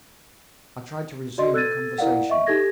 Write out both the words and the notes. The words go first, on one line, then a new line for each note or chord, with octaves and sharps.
I tried to resume the conversation.
F#4 D5 D#5 C6
A4 E6 F#6 G#6 A6 D#7
E4 A#4 D5 F5 F#5
D#5 E5 C#6
D#4 G4 A4 G#6 A#6